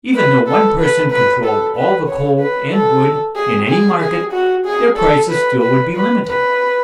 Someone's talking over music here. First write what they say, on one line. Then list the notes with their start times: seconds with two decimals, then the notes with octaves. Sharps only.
Even though one person controlled all the coal and wood in any market, their prices still would be limited.
0.15 B4
0.48 A4
0.79 B4
1.11 B4
1.44 A4
1.76 B4
2.08 C#5
2.40 B4
2.72 A4
3.36 G#4
3.69 G#4
4.01 G#4
4.32 F#4
4.65 G#4
4.97 A4
5.30 B4
5.62 B4
5.93 B4
6.26 B4